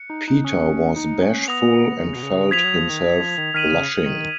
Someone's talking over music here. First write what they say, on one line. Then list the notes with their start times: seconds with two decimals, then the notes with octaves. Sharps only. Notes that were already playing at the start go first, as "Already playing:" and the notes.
Peter was bashful and felt himself blushing.
Already playing: F#6 C#7
0.10 D#4
0.28 D#4
0.45 C#4 D#6 F#6 C#7
0.96 D#4
1.22 C#4
1.48 B3 D#6 A#6 F7
2.00 D#3
2.07 C#3
2.15 B2
2.23 C#3
2.51 F3 G#6 B6 F7
2.64 F#3
2.77 F3
2.90 D#3
3.20 F3
3.38 D#3
3.54 D#3 F6 B6 D#7 F#7
3.71 C#3
4.06 D#3